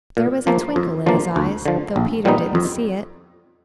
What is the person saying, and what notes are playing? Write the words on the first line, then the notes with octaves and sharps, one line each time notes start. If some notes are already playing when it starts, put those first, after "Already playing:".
There was a twinkle in his eyes, though Peter didn't see it.
A#2
F3 A#3
F2
D3 F3 A#3
D2
D3 F3
A#1
A#2 G3 B3 D#4
F2